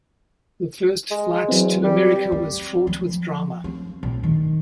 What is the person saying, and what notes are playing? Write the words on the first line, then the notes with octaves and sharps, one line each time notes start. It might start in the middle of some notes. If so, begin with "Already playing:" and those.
The first flight to America was fraught with drama.
G#3
E2 F#3 C4
G3
C4
F3
C4
A#1
D#3